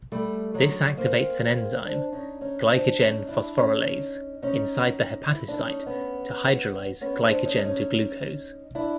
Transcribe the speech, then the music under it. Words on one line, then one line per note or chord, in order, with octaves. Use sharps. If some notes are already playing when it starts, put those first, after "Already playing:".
This activates an enzyme, glycogen phosphorylase, inside the hepatocyte to hydrolyse glycogen to glucose.
G3 A3
F#3 G#3
A#3 C4
C4 D4
C#4 D#4
C#4 D#4
C4 D4
C#4 D#4
D4 E4
C#4 D#4
C#4 D#4
E4
D4 E4
C#4 D#4
B3 C#4
B3 C#4
C4 D4
C#4 D#4
C#4 D#4
D4 E4